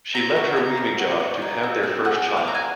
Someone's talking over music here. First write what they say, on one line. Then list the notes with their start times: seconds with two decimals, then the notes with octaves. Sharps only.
She left her weaving job to have their first child.
0.14 C4 A#5
0.36 F#4 A#5
0.56 D#4 A#5
0.77 C4
0.99 F#4
1.20 F#4
1.42 D#4
1.63 C4
1.83 C4
2.04 G#4 F#5
2.26 C4
2.37 F5
2.47 C4 A#5
2.55 G#5